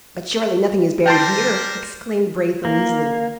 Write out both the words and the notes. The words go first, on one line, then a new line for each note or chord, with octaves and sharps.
"But surely nothing is buried here?" exclaimed Braith uneasily.
G3 A#4 C5 G5 A5 C6
A#3